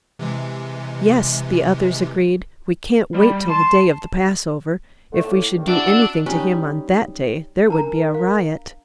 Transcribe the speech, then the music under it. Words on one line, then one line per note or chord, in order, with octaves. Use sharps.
"Yes," the others agreed, "we can't wait till the day of the Passover. If we should do anything to him on that day, there would be a riot."
C3 E3 G#3
G3
A5 C6
D3 A3
A2 A#3
G2 D#3
D4 E4 F#4 E6
G3 C#4 D#4 B5
D4 A#4 A5 A#5
F5